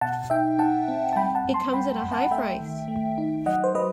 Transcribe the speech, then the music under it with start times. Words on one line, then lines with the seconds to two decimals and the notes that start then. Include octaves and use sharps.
It comes at a high price.
0.01 B2 F#5 A5
0.30 D#4 E5 G5
0.58 D#4 F#5 A5
0.88 C4
1.13 A5
1.16 G3 G5 B5
1.35 F#5 A5
1.44 F#2
1.54 A5 C6
1.73 G3 G5 B5
2.03 F#2
2.12 F#5 A5
2.31 A3 E5 G5
2.60 D#3
2.88 A3
3.18 D#4
3.46 F#3 D#5 F#5
3.64 C5
3.75 F#3 B4 D#5